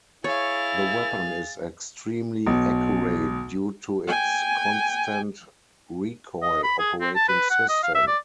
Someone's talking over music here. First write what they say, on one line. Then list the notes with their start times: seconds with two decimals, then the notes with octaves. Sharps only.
The weapon is extremely accurate due to its constant-recoil operating system.
0.24 E4 G#4 C#5 F5 A6
2.47 B1
4.08 G5 G#5
6.43 D#5
6.64 B5
6.79 G#4
7.01 C4
7.16 A5
7.29 B4
7.50 F#5
7.69 D#5
7.83 F5
7.95 E5
8.08 D5